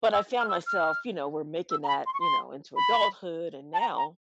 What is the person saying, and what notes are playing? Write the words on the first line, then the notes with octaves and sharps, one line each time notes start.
but I found myself, you know we're making that, you know, into adulthood, and now,
E6
F6
E6
F6
E6
A#5
B5
C6
C#6
C6
B5
A5
A#5
A#5